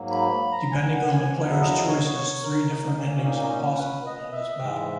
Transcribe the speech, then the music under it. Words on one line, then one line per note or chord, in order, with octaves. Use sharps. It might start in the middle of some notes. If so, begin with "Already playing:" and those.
Depending on the player's choices, three different endings are possible in this battle.
Already playing: G#2 F#3 A#3
B5
A#5
G#5
F#5
G#5
E2 C#3 F#3 B3 F#5
E5
D#5
C#5
C#5
A#4
D#4
A#2 A#3 C#4
D#4
D#4
C#4
B4
D#5
E5
G#2 E3 G#3